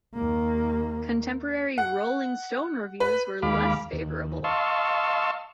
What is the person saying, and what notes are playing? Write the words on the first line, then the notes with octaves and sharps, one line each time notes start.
Contemporary "Rolling Stone" reviews were less favorable.
D#2 A#3
F#5
B4
D#2 G#3 F5 B5 D6
D#2
D#5 F5 A5 C6 C#6 E6